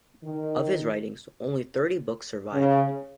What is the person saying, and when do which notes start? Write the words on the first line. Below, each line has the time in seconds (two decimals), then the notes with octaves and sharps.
Of his writings, only thirty books survive.
0.24 D#3
2.53 C#3